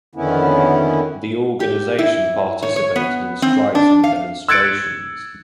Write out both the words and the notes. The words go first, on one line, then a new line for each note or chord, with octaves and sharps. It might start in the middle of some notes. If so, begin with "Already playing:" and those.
The organization participated in strikes and demonstrations.
F2 D3 D#3 B3 C#4 E4
G4
E4
C#5
C#5
B3
C4
D4
F5
E6 F#6 G#6 A6 C#7 D7